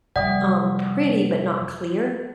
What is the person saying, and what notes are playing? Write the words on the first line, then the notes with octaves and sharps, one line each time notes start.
um, pretty but not clear,
F1 G3 D5 E5 F#5 G5 D#6